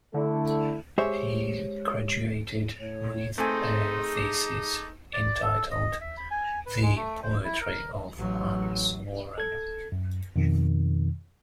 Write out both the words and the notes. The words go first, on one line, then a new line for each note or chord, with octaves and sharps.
He graduated with a thesis entitled 'The Poetry of Hans Warren'.
D3 A3 E4 A4
G#3 G4 C5 C#5 E5
A2 C#5
A3 C4 D#4 G#4 G#5 C6
D6
D5
A4
D#5
E5
B5
G#5
B4
G#3
A3
C5
E4
A#4
A1 F#3
A4 G#6
F#2
F2 B2 D#3